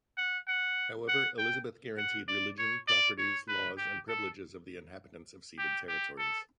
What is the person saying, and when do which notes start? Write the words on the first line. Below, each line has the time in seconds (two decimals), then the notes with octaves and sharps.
However, Elizabeth guaranteed religion, properties, laws and privileges of the inhabitants of ceded territories.
0.17 F#5
0.48 F#5
1.08 F#5
1.38 G5
1.98 F#5
2.28 D5
2.58 C#5
2.88 D5
3.18 C#5
3.48 B4
3.78 G4
4.08 A4
5.58 G4
5.88 G4
6.18 A4